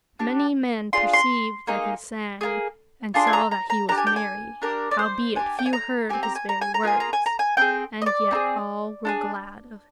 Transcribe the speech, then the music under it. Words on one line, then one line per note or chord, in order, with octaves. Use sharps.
Many men perceived that he sang, and saw that he was merry, howbeit few heard his very words, and yet all were glad of him.
D4 G4
D4 F4 G#4 C6
C6
A#3 D#4 G#4
A#3 F4 G#4
D4 F4 G#4 C6
G#5
A#5
A#5
A#5
D4 G4 A#5
G#5
G5
G#5
D4 G4 A#4
D5
C5
D4 G4 G#5
G5
G#5
A#5
C4 G4 G#5
A#5
G#5
A#5
G#5
A#5
A#3 F4 G#4 G#5
A#5
G#5
A#5
G#5
C4 D#4 G#4 G5
D#5
D5
C4 D#4 G#4
D4 F4 G#4